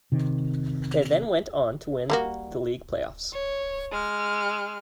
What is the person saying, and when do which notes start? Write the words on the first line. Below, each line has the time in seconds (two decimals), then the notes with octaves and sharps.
They then went on to win the league playoffs.
0.12 C3 D#3
2.10 G3 A#3 F#4
3.33 C#5
3.92 G#3 F6